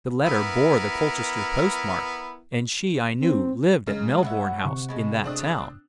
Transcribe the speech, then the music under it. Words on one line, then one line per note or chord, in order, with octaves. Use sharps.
The letter bore the Colchester post-mark, and she, I knew, lived at Melbourne House in that town.
B3 E4 A#4
C4
C#3 G#3 D#4
B2 F#3 E5 F#5
C3 C#6
B2 G#3 A3
C4 D4 D#6